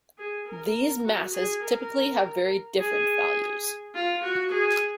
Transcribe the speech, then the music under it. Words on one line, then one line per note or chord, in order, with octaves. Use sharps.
These masses typically have very different values.
G#4
A#4
F#4
G#4
A#4
G#4
F4
F#4
G#4